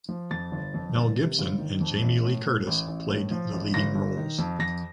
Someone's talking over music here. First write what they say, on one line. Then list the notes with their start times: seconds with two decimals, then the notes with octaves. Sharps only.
Mel Gibson and Jamie Lee Curtis played the leading roles.
0.09 F3
0.31 F2 A6
0.52 G1
0.74 F2
0.95 G1
1.16 C3
1.38 G1
1.59 D#3
1.81 F2
2.02 A1
2.24 A2
2.46 A2
2.67 A1
2.88 A1
3.09 A2
3.31 F3
3.52 A1
3.74 G1 A#6
3.95 G1
4.17 D#3
4.38 F2
4.59 F2 A#6